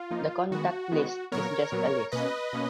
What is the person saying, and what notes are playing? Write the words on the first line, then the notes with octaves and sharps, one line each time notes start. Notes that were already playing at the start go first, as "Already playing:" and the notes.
The contact list is just a list.
Already playing: F4
F3 A#3 D#4
D#3 G#3 B3 F#4
D#3 G#3 B3
A#2 F#3 B3 A#4 C#5
A#2 F#3 B3
B2 A#3 C#4 B4 D#5
B2 A#3 C#4